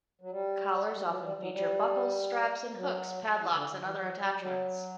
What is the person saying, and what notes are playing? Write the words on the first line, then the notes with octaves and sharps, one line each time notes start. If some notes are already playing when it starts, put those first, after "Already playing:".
Collars often feature buckles, straps and hooks, padlocks and other attachments.
F#3
G3
G3
F#3
G3
F#3
G3
F#3
E3
D3
D3
E3
F#3
G3
F#3